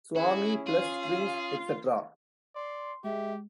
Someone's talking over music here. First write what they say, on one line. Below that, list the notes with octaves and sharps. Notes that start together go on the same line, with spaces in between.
Swami - Plus Strings, Etc.
C#4 E4 F#4 G#4
F4 G#4 F5
D5 C6
G#3 G4 E5